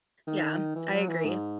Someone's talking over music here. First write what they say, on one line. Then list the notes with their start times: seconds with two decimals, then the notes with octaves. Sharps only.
Yeah, I agree,
0.27 D#3
0.75 E3
0.92 F#3
1.08 E3
1.25 G#2